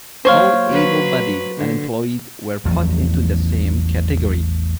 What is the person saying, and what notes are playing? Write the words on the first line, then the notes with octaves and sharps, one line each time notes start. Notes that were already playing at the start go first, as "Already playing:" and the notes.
All able-bodied unemployed were put into the same category.
F#3 A#3 C5 C#5 F5
F#3 B4
D3
A1 E2 F3 F#3